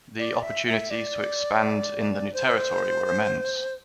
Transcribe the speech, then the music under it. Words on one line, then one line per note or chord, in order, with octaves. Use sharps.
The opportunities to expand in the new territory were immense.
D5
E5
E5
D5
C5